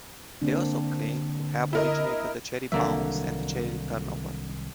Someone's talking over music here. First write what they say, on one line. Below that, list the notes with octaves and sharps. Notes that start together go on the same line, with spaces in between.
They also claim to have originated the Cherry Bounce and the Cherry Turnover.
D3 A#3 C4 D4
E4 A#4 D#5
C2 D3 D#3 F#3 A#3 E5